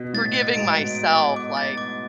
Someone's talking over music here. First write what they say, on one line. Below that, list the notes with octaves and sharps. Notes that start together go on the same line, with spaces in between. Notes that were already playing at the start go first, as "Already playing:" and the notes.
forgiving myself, like
Already playing: B2
A2 A6
A6
G#2 D7
D7
D7
D6
D6
A6
D6